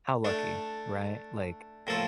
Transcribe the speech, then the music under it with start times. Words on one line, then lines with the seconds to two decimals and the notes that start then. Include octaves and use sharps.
how lucky, right? Like,
0.24 A3 D4 A4
1.87 A2 F3 A#3 F4 A4